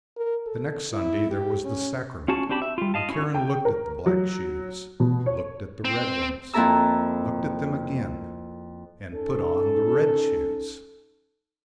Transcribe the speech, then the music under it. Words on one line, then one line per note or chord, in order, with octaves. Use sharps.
The next Sunday there was the sacrament, and Karen looked at the black shoes, looked at the red ones--looked at them again, and put on the red shoes.
A#4
A4
E4
G4
C#4
C#4 F4 F#4 G#4 A5
C4 D4 G4 A5 B5
E5
G3 F4
D#5 F5 A5
C#4 E4 F#4 B4 C#5
G5
A#4
F#3
B2
C#5
C4
F2 A#3 E4 A4 A#5 E6
C#4 D#4 A4